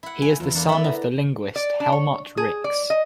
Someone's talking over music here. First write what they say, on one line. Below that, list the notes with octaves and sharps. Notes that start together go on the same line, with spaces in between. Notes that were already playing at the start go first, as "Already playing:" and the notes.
He is the son of the linguist Helmut Rix.
E4 F#5
G#5
E2 F4
E3 A#3 D4 A4
B3 A4 E5
E4 A#5
D5
D4
C#5
G#4
D5
D#5